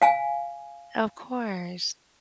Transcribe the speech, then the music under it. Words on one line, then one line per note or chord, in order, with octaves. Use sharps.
Of course.
F5 G#5